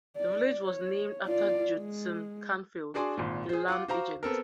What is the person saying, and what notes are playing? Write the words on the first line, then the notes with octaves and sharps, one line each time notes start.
The village was named after Judson Canfield, a land agent.
D5
C#5
F4 D5
G#3
D4 F#4 G#4 D5 C6 D6
G#1 A#2
G#4 C5
F4 F#5 D6
F#4 C5 F5 A#5 D6
B3 C4 A4 A#4